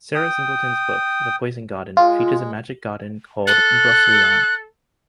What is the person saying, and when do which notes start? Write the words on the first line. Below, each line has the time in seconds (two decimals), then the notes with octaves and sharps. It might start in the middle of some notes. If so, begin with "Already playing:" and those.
Sarah Singleton's book "The Poison Garden" features a magic garden called Broceliande.
0.15 G5 D#6
1.97 G#3 F4
3.47 A4 F#6